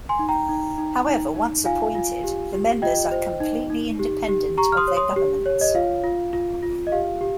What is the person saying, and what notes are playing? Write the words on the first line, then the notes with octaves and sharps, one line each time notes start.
However, once appointed, the members are completely independent of their governments.
G#5 C6
D#4
G5 A#5
D#4
D#4
D#4
D#4
F4 F5 G#5
F4
G4
G4
F4 D#5 G5
C5
D#4
D#4
G4
G4
G4 A#5 C#6
F6
C6 D#6
C#5
C6 D#6
G4
C#5
D#5
F4 F5
F4
F4
F4
D#5
G4 F5
G4